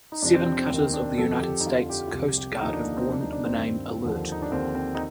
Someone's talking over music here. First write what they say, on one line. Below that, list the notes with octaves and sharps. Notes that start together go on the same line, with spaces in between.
Seven cutters of the United States Coast Guard have borne the name Alert.
D#4
F2 C3 F3 D4
C4
C4
C4
D#2 D#3 C4
D4
F2 D3 F3 A4
G4
D#4
F2 D3 F3 F4
G4
F4
C2 C3 F3 G4
G4
D#2 D3 F3 D#4
D4
A#3
C4
D2 C3 F3 D4
D#4
D4
C4
G2 D#3
D#2 D3 F3
D#4
D4
D#2 D3 F3 C4
C4
D#4